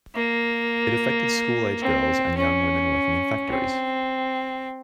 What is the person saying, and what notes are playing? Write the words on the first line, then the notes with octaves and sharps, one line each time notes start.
It affected school-age girls and young women working in factories.
A#3
C4
C#4
C4